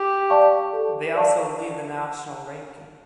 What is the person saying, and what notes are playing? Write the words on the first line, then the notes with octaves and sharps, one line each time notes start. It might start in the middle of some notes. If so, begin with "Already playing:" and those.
They also lead the national ranking.
Already playing: G4
D5 F5 A5 C#6
A4
D5 F5 A5 C#6